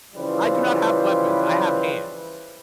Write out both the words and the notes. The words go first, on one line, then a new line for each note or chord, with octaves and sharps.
I do not have weapons, I have hands."
C#3 E3 F3 G3 B4 C5